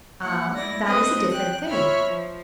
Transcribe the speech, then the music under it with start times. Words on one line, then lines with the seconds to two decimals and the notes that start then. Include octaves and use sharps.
"Ah, that is a different thing."
0.20 A#3 E4 F#5
0.55 G#3 E4 D5 A#6
0.85 C4 D4 B4 D#5
1.31 G5 F#6
1.68 F4 C#5 E5 B5 F6
2.04 F3